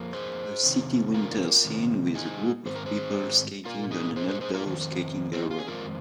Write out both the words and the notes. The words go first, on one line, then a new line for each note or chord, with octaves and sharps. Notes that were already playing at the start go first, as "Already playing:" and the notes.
A city winter scene with a group of people skating on an outdoor skating area.
Already playing: F2 F3 A#3
G#4 C5
C3 D#3 C4
F4 A#4
C3 D#3 G#3 C4
D#4 G#4
G#2 D#3 C4 C5
A#4
G#4 C5
A#2 A#3 F4 A#4
D#4 G#4
G#4 C5
G#4 C5
G#4 C5
F4 A#4
F2 D#3 C4
C4
D#4
F4
G#4
F2 D#3 G#3 C4 F4 A#4